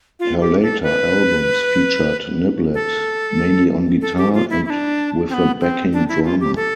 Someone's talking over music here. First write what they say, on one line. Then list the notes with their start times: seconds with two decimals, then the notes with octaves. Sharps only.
Her later albums featured Niblett mainly on guitar, and with a backing drummer.
0.20 F4
0.41 G4
0.62 A4
0.83 B4
2.74 A4
4.02 A4
4.18 G4
4.34 F4
4.50 E4
4.65 E4
4.70 D4
5.29 C4
5.34 B3
5.61 C4
5.93 D4
6.09 E4
6.25 F4
6.40 G4
6.56 A4